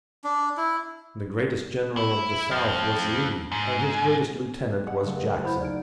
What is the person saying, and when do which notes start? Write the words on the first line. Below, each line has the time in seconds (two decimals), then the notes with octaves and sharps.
The greatest general of the South was Lee, and his greatest lieutenant was Jackson.
0.24 D4
0.57 E4
1.97 E4
2.51 F2 F3
3.52 G#2
4.87 G#3 F#5
5.03 F#1 A3
5.15 G4 A#4 B4
5.44 B3 E4 C5 B5 G6
5.61 D#4 D5 F6 D7